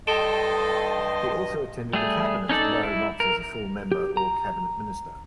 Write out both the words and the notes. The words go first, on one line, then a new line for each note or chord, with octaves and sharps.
He also attended the Cabinet, although not as a full member or Cabinet Minister.
G2 A4 D#5 G5 A5 C6
G3 A3 G#4
C#4 D#4 A4 D5
E4
A#4
G4
A#5